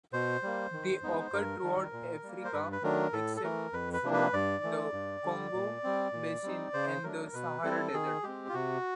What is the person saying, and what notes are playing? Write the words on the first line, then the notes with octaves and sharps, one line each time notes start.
They occur throughout Africa except for the Congo basin and the Sahara Desert.
B2 C5
G3 A#3
D#3
G#3 B3 D#4
G2 A#4
D#3 G3
A#2
G3 A#3
C5
G2 B4
B4
D#3 F#3 A3 D4 A#4
A2 A4
A4
E3 A3 A#4
F2 B4
B4
C3 F3 A#3 D4
B4
G2 D5
E3 A3
G2
D3 G3
A#2
G3 C4
A#2
G3 C4 D#4
C#3 C5
F#3 A3 D4 A#4
B2 B4
G3 C4 E4 A4
D#3 G#4
G#3 C4 G4
F4
C3 F#4